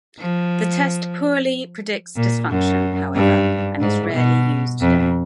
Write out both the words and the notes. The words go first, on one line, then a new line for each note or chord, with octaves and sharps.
The test poorly predicts dysfunction, however, and is rarely used today.
F3
A#2
F#2
G2
G#2
B2
F2